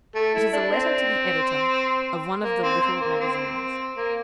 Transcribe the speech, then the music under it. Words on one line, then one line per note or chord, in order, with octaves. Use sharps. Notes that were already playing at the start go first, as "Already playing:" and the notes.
It is a letter to the editor of one of the "Little Magazines."
A3
E4
D4
C4
A#3
C4
C4
A#3
C4
A#3